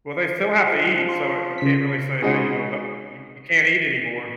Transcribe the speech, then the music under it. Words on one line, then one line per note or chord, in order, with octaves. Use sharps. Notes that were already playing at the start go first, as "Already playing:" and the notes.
well, they still have to eat, so you can't really say, "Hey, you know, don't you you can't eat anymore."
F3
C6
C#3 B6
C#3 G#3 D#4 F#4